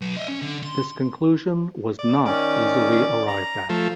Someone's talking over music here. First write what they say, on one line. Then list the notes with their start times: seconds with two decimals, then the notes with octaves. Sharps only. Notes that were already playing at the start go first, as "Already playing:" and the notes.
This conclusion was not easily arrived at.
0.02 F#3 B4
0.16 D#5 E5
0.28 C#4
0.42 D3
0.63 C6
1.99 D5
2.26 D#3 C#4 D5
3.27 A#5
3.69 F3 A3